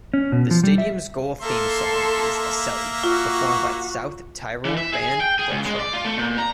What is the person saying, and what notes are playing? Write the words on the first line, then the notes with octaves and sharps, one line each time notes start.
The stadium's goal theme song is "Esellied", performed by South Tyrol band Volxrock.
C#4
B2
F3
G3
E5
A#3 A4 E5 C6
F4 F#4
E3
E5
G#4
G5
G#4
C#2
G#3
D5
F4
A3
A#2
A#5